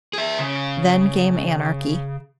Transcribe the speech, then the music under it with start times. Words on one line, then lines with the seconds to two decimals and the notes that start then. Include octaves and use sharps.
Then came anarchy.
0.13 G#4 E5
0.39 C#3